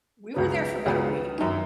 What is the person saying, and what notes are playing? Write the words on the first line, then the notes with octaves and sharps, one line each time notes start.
We were there for about a week.
C#2 C#3 F#3 B3
C#2 C#3 F#3 B3
F#2 D#3